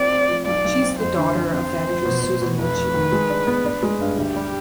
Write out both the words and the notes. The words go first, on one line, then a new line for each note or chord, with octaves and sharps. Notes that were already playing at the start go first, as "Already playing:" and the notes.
She is the daughter of actress Susan Lucci.
Already playing: C4 D5
C4
F3
B1 D5
B1
C4
F2 C5
D3
F2
C4 C5
C4
F3
B2
B2
B2
F1 B4
F1
D#3
G#3
D4
B3
D4
G#3
G2
D2 G4
G3